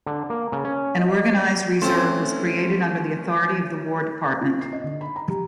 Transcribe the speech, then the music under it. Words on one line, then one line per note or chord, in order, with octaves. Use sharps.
An organized reserve was created under the authority of the War Department.
D3
A#3
C#3
C#4
D#5
D5
A3 C4 C#4 F4 E7
F4
C7
D#5
D3
B5
A#5
G4